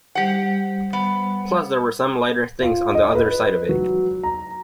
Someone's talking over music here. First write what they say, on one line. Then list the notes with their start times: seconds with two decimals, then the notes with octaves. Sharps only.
Plus there were some lighter things on the other side of it.
0.15 G3 G4 C5 F#5
0.93 B3
2.62 F4
2.95 D#5
3.15 B4
3.69 F#3
4.24 A#5